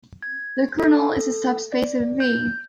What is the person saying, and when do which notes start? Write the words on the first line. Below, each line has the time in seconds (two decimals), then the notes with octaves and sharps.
The kernel is a subspace of "V".
0.22 G#6
0.79 A4
1.72 D5
2.20 G6